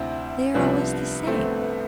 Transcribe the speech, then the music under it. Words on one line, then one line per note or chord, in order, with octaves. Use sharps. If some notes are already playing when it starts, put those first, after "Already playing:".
"They are always the same."
Already playing: D2 C3 C4 D4 E4
C2 C3 F3 B3 D4
A3 C4
B3
B3